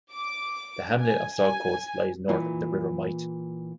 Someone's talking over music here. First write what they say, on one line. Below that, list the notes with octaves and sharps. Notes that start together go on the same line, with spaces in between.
The hamlet of Saltcoats lies north of the River Mite.
D6
G#5
G#5
A#2 E3